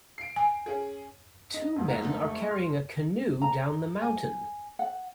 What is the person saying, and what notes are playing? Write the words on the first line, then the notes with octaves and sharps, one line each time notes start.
Two men are carrying a canoe down the mountain.
C7 D7
G#5
C#4 G#4
D#4 D#5
F2 G#2 F3
F4 F#5 A#5
A3 A#3 D4
C#6
C6 F6
A#5
G#5
F#5